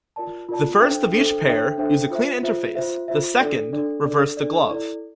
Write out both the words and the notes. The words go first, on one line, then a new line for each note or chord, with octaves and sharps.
The first of each pair use a clean interface, the second reverse the glove.
F4 A#4 D5 A5
F4 A#4 D5 A5
D4 A4 C5 E5 G5
D4 A4 C5 E5 G5
D4 A4 C5 E5 G5
D4 A4 C5 E5 G5
F4 C5 E5
F4 C5 E5
F4 C5 E5
F4 C5 E5
D4 A4 D5
D4 A4 D5
D4 A4 D5
D4 A4 D5
E4 A4 D5